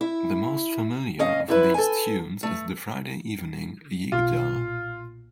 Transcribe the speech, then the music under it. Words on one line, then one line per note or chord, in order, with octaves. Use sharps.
The most familiar of these tunes is the Friday evening "Yigdal".
E4 E5
C#4 D#5 F5
F#2 E4 B4
A4 G#5
A3
B1 B2 F4
A#2